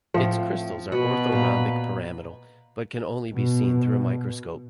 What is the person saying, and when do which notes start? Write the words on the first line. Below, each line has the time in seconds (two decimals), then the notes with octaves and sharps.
Its crystals are orthorhombic pyramidal, but can only be seen through a microscope.
0.14 A2 F3 C4
0.92 B2 F#4 B4
1.32 A#2 A#5
3.34 B2